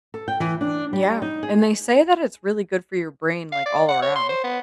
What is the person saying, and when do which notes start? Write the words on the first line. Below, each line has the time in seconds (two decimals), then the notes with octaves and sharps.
Yeah, and they say that it's really good for your brain, like, all around.
0.14 A4
0.28 G5
0.40 E3
0.61 D4
0.93 G3
1.22 D#4
1.43 G#4
3.52 F5
3.66 D5
3.89 F#5
4.02 C#5
4.16 C6
4.29 C5
4.44 B3